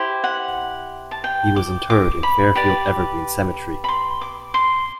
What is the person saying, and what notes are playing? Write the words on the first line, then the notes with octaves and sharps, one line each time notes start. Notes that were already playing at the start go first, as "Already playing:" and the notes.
He was interred in Fairfield-Evergreen Cemetery.
Already playing: E4 G4 C5
F#5
A5
G5
D6
D6
B5
G4 B4 D5
B5
C6
D6
C6